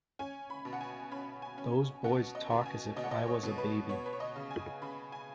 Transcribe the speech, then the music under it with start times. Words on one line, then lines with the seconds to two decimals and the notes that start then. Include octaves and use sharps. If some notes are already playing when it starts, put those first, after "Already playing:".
Those boys talk as if I was a baby.
0.19 C#4 G#5
0.50 B5
0.65 B2
0.73 F#5
0.81 G#5
1.11 C#4 B5
1.42 G#5
1.58 C#4
2.04 B2 F#5
2.35 D#5
2.51 B2
2.66 G#5
2.97 B2 D#5
3.04 F#5
3.11 D#5
3.27 C#5
3.43 B2
3.58 B4
3.89 B3 C#5
4.06 B4
4.13 C#5
4.20 D#5
4.36 C#3
4.51 G#5
4.82 C#3 B5
5.12 G#5